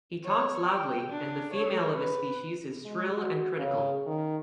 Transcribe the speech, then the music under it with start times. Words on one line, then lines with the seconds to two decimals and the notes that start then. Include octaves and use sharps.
He talks loudly, and the female of his species is shrill and critical.
0.25 C#5
0.66 G5
1.10 D4
1.54 C#5
1.94 B4
2.85 G#3
3.17 F#4
3.58 C#3
4.06 D#3